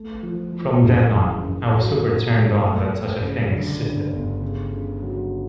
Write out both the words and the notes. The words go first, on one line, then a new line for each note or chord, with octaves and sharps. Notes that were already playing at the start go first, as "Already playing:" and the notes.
From then on, I was super turned-on that such a thing existed.
Already playing: A3
F3
F3
F#1
E3
F#1
F#3
A#2
A#2
A3
A3
C#3
D3
G2
G1
C#3
C#3
F#3